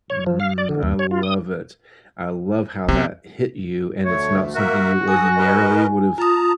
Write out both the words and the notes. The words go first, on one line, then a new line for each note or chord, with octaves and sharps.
Mm, I love it. I love how that hit you and it's not something you ordinarily would have
C#5
F3
F5
D5
D3
D#2
C#5
F4
D#6
C3 B3 C#4
D2 A3 C#5
A#3 F#4 A#4 E5
G2 A4 G#5 D#6
A#4 B4 D#5
F4 A5 A#5 D#6